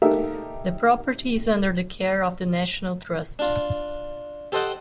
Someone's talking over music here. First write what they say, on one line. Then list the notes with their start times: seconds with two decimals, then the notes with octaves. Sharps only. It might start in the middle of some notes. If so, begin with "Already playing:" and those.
The property is under the care of the National Trust.
0.02 D#4 G4 A4 A#4 E5
3.39 D4 F4
4.52 G4 A4 C5 D#5 F#5 G5